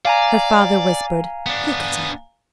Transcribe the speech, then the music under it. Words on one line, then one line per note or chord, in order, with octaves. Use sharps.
Her father whispered, "Look at her!"
D5 F5 G#5 A#5
B3 D4